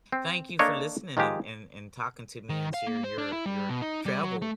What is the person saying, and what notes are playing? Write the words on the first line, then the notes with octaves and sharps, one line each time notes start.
Thank you for listening and and and talking to me and sharing your your travel
C4
A#3 D4 A4 C#5 D#5
D#3 F3 G#3 G4
D#3
F5
A#3
C5
D4
E4
G3
B2
D#4
G3
F#3
A3